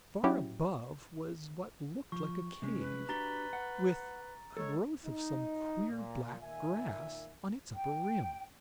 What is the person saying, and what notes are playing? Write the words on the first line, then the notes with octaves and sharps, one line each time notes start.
Far above was what looked like a cave, with a growth of some queer, black grass on its upper rim.
F#3 C#4 E4 F#4 G4
F3 C#6
C3 G#3 C#4
B4
D4 F#4 G4 A#5 A6 G7
F#5
G#3 A4 C#5
D#4
A#2
A#2 D#3 E5 G#5
G5